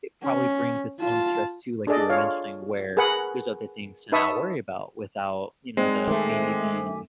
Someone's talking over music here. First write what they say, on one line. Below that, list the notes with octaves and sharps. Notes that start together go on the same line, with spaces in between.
it probably brings its own stress too- like you were mentioning- where there's other things to now worry about without, you know, the maybe the,
C#4
F4 A5
D4 G#4 A4 D5 D#5
F4 C#5 F5
G#4 A#4 B4 F#5
D#4 B4 E5 A5 C#6 D#6
G#3 C4 D#4 D5
D#3 A3 E5 G#5 D6